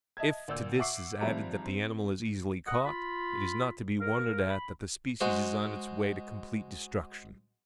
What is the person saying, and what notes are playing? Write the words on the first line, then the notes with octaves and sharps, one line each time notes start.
If to this is added that the animal is easily caught, it is not to be wondered at that the species is on its way to complete destruction.
D#5 E5 A5 G#6
D2 A#2 D5 E6 G6
E5 F#5 C#6 D6 E6 C7
G#1 F3 G3 C4 E5 A#5
C4
D#5 F#5
F4 B5
A#4 F5
B5
G#3 F#4 C5